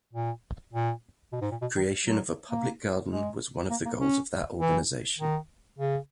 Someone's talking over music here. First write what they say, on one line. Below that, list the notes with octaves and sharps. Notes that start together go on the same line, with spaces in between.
Creation of a public garden was one of the goals of that organization.
A#2
A#2
B2
G#2
A#2
B2
D#3
F#3
A#3
G#3
A#3
A#3
C#4
E3
D#3
C#3